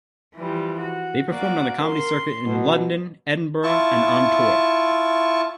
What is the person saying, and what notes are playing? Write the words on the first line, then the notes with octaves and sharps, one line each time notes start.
They performed on the comedy circuit in London, Edinburgh and on tour.
E3 F3 G3
F#4
A#3 F#4 D5
A#4 C6
B2 F#3
E4 F4 A5 C#6